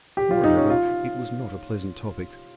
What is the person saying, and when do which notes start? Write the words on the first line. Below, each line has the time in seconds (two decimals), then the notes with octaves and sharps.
Moreover, it was not a pleasant topic.
0.17 G4
0.31 F4
0.44 D#4
0.57 C#4
0.70 F4